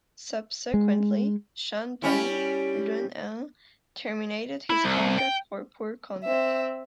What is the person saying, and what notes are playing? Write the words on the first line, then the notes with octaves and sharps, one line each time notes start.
Subsequently, Shandong Luneng terminated his contract for poor conduct.
G#3
G3 C#4 E4
E4
C2
G5
C4 E5